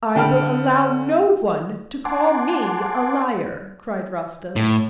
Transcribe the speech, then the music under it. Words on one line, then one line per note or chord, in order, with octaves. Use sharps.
"I will allow no one to call me a liar!" cried Rostov.
D3 G5 A5 B5 F6 D7
F#5 G#5 A5 C6 D6
A2